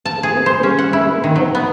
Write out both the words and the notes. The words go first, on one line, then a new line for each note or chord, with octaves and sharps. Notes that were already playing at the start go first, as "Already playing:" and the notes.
The group creates images of protest.
A5
G#4
C5
C#4
F#5
E4
D#3
F#3
B3